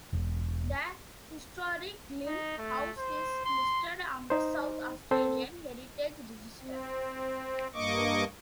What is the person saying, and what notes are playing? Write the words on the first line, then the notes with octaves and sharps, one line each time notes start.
The historic Glynde House is listed on the South Australian Heritage Register.
E1
D#4
A3
C5
C6
D#4 C5
C4 A4 C5
C4
G2 A#3 D#5 C#6 D6